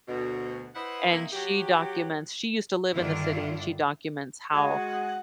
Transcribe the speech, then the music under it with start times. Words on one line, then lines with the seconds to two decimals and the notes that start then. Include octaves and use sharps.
and she documents she used to live in the city and she documents how,
0.08 D2 B2
0.75 E4 B4 C5 D#5 F#5
1.11 C3 A#3 D#4 E4
1.32 F#3 G4
2.94 G2 D3 D#3 D4 E4 F4
4.52 G#3 F#4 G#4 F#5